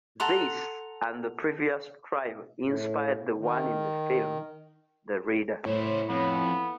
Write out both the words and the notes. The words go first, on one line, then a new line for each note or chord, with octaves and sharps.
This and the previous trial inspired the one in the film "The Reader".
A4 F#5 A#5 C6
A2
D#3
A2 E4 C5 C#5
F2 B3